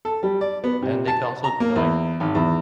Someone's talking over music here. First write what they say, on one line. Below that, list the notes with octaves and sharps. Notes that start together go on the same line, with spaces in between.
then they could also d like
A4
G3
D5
B3
C3
A5
A#5
A#3
E2
G#1
E2